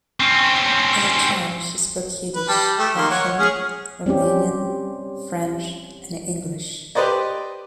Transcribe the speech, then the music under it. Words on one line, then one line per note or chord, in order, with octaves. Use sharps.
As a child, she spoke Yiddish, Russian, Romanian, French and English.
C4 C#4
B4
G3 A5
A3 G4
D#3 A#3 C6
C#5 F#5
C#4 G#4 F6
G3 C4 C#4 G4
G4 B4 C5 D5 D#5